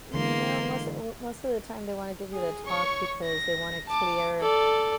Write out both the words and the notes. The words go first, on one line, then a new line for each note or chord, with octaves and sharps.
No, most of most of the time they wanna give you the talk because they wanna clear
D3 E3 G#3 A#3 C6
G#4
C#5 C#6
A#6
A5 D6
A4 D5